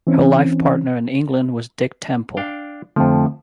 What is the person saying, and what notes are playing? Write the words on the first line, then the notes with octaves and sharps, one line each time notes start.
Her life partner in England was Dick Temple.
E3 C4 C#4
D4 F5 G5
F2 D3 F3 A3 C4